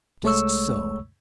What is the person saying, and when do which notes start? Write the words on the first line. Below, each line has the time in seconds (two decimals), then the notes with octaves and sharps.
Just so.
0.23 C2 G#3 A3 C#5 C#6 E6